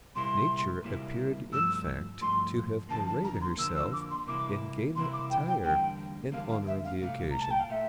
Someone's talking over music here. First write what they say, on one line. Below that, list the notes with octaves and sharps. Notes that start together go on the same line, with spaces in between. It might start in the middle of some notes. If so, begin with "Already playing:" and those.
Nature appeared in fact to have arrayed herself in gala attire, in honour of the occasion.
C2 A#2 G3 A#3 E4 C6
C2 A#2 G3 A#3 E4
G2 F3 A3 E6
G2 F3 A3 C6
F2 D3 F3 A#3 A5
A5
A#5
C6
F2 D3 F3 A#3 E6
E6
D6
C6
C2 C3 E3 A#3 E4 D6
C2 C3 E3 A#3 E4 C6
D6
G5
G5
E2 D3 G3 A#3 G5
E2 D3 G3 A#3 F5
F5
E5
F5
C2 A#2 A3 F5
A#5
A5
G5
F5
A#2 A3 E5